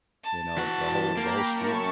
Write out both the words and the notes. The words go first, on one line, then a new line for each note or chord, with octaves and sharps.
you know, the whole the whole spiel.
A5
E3 F#4 F#5
A#3 G5 A#5 B5
F#2 A5 C#6